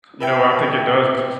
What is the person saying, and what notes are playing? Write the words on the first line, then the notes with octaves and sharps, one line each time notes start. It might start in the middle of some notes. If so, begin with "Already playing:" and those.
you know, I think it does s
B4 E5 G5